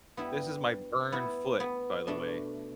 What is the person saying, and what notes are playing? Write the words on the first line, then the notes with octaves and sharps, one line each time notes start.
this is my burned foot, by the way.
G2 G3 B3 E4
B3 E4
B3
B2 A3 D4